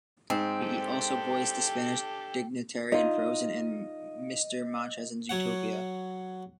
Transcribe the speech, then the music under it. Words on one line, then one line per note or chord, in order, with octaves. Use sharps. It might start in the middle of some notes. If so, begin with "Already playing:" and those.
He also voiced the Spanish Dignitary in "Frozen" and Mr. Manchas in "Zootopia".
G#2 C4
D4 G4 A4 G5
D#4 F4 D#5
F#3 C#5 F#5